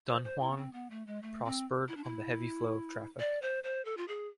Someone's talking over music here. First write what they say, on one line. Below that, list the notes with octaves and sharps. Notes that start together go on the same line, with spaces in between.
Dunhuang prospered on the heavy flow of traffic.
C5
C5
E4
B3
C4
B3
A3
G#3
A3
C4
E4
D4
E4
D5
C5
C5
A4
F4
G#4